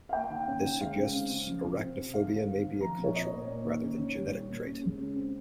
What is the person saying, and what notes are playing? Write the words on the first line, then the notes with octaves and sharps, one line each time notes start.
This suggests arachnophobia may be a cultural, rather than genetic trait.
F5
A#3 G5
D#3
C#4
D#3
G#3 F5
C#3
C4
C#3
F3
C3
C4
C3
G#3 F5
D#3
C4
D#3
F3 A#5
A#2
C#5
C4 D#5
C#5
A#2
A#3
D#3
C#4
D#3
G3
A#2
A#3
C#4
G#3
C#3
C4